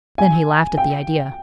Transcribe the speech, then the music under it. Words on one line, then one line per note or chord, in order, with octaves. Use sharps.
Then he laughed at the idea.
G#5
G5